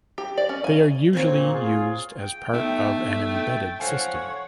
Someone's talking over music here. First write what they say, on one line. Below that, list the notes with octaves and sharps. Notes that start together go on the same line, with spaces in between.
They are usually used as part of an embedded system.
G4
D5
C#4
G#5
A#2 C4 C#5
F4 G#4
G5
A3 B3 D#4
D4
G5 A6
F3 A4 C#5 F5 F#5 G#5